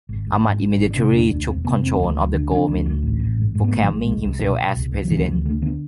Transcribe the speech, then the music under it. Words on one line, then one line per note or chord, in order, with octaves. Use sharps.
Ahmad immediately took control of the government, proclaiming himself as President.
G#1
G#2
G#2
G#1
G#1
D4
C3 C4
E1 D4
D2 D4
E1 C4
C3 B3
E1 C4
D2
D2
D3
D3 D4
D2
D2
A1
A1
G#2
G#2
B3
A1 A3
F3
A1 G#3
C2 G#3
C2
B2
B2
C2
C2
F3
D2 E3
D2 F3
D3 A3
D3 B3